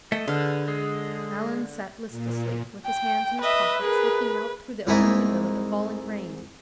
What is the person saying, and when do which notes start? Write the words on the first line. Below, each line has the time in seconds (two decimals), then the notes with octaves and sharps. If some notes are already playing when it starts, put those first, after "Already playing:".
Allan sat listlessly, with his hands in his pockets, looking out through the open window at the falling rain.
0.12 A3 D#5 E5
0.28 D3 G#4 B4 F6
0.68 G#3 G#4
2.10 A#2
2.86 G5
3.42 B4 D#5 E5
3.81 G#4 A#4
4.87 C2 G#2 G#3 D#4 E4 D#5